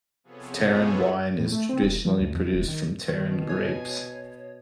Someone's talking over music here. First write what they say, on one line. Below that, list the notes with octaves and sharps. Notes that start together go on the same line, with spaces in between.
Teran wine is traditionally produced from teran grapes.
C3 F3 B3 G#4 A4 C#5
A2
A3
C4
E1
F3
D2
F2
D#1
D#3
B2 D#3
C#5 G#5